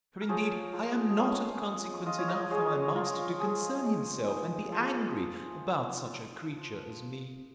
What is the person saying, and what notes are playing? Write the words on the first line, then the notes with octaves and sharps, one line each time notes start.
For indeed I am not of consequence enough for my master to concern himself, and be angry about such a creature as me.
A#4
F3 G#4 C#5
F3
D#5
C#4 C#5 F5
C#4
F4 D#5
C#5
A#4 D#5
G#3 G#4 C#5
F3 F4 A#4
F3 G#4
G#3
D#4
F3